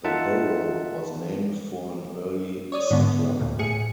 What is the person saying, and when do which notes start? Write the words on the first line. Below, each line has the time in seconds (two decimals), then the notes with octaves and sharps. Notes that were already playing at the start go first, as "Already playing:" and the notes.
The borough was named for an early settler.
0.04 D#4 F4 E5 F#5 A5
2.72 C#5 D5 D#6
2.90 G#2 D3 B3
3.40 D2 A#2
3.59 A2 G#4 C#7